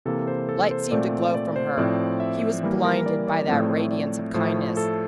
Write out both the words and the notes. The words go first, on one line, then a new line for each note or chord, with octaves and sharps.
Light seemed to glow from her; he was blinded by that radiance of kindness.
C3 E3 A#3 A4
C5
A4
C5
A#2 A3 C4 D5
D5
C5
A2 F3 C4 D5
E5
E3 G3 A#3
A#4
D5
D5
A2 F3 A3 C4 D5
D5
A2 F3 A3 C5
A4